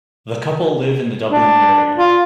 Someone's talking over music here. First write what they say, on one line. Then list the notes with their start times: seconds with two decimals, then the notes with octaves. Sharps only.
The couple live in the Dublin area.
1.32 D4
1.98 F4